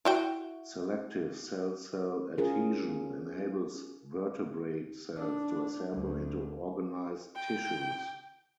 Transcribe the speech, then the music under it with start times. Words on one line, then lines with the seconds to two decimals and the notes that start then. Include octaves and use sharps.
Selective cell-cell adhesion enables vertebrate cells to assemble into organised tissues.
0.05 E4 F#4 G5
2.38 C#4 F4 G#4 A#4
5.16 D4
5.92 D2
7.36 G5